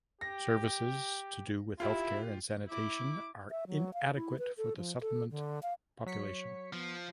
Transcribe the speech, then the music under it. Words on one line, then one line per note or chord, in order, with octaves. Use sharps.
Services to do with health care and sanitation are inadequate for the settlement population.
G4 A#6
E4 F4 G4
E4 D6
E5
F#3
F5
E4
B4
A4
F3
A4
D3
F5
F#3 C#5 B6 C#7
F3 B3